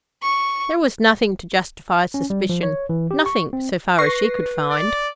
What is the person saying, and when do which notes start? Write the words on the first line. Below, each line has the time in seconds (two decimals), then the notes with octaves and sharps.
There was nothing to justify suspicion, nothing, so far as she could find.
0.22 C#6
2.14 C#4
2.30 G3
2.49 F3
2.63 C#5
2.89 E3
3.11 G4
3.26 C#6
3.53 C4
3.98 B4 C#6 A#6 C7
4.71 D5